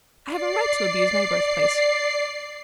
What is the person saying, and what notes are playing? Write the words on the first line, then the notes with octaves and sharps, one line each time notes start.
I have a right to abuse my birth-place.
D5 C7